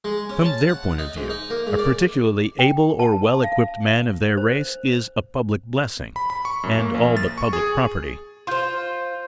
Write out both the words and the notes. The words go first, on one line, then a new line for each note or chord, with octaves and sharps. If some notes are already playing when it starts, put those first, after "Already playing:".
From their point of view, a particularly able or well-equipped man of their race is a public blessing, and all but public property.
G#3
C#4
A5
F#5
D#4
G#2
D#4
A#3
G#2
D5
G5
A5
F5
C5
B5
B5
C#6
F#2
A#3
A#1
A6
C#6
G#4
F4 C5 C6 G6